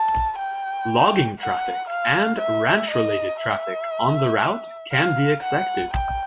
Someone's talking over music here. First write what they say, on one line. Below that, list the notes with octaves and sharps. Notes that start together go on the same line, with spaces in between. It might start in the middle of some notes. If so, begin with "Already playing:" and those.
Logging traffic and ranch-related traffic on the route can be expected.
Already playing: A5
G5
F#5
F5
E5
D#5
E5
F5
F#5
G5